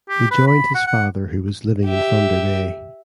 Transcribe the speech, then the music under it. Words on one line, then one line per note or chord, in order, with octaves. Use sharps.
He joined his father who was living in Thunder Bay.
G4
B4
B5
F#5
F#5
G4 E5